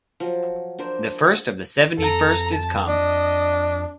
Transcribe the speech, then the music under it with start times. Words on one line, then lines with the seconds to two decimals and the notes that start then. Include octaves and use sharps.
The First of the Seventy-First is come.
0.20 F3 F#3
0.79 D4 A#4 C5
1.24 F5 F#5
1.98 F2 A4 A#5
2.54 A5
2.87 D4 D#5